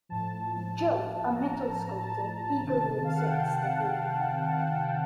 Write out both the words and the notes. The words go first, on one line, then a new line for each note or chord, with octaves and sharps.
Jill, a metal sculptor, eagerly accepts the head.
A2 F3 A5
A#5
A5
A5
C3 D#3 A5
F5
F#5
G5
F#5
F5
F#5
G5